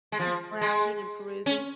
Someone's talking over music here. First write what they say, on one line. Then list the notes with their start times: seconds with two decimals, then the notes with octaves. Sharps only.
Just browsing and perusing.
0.12 G#3
0.19 F3
0.61 G#3
1.46 C#4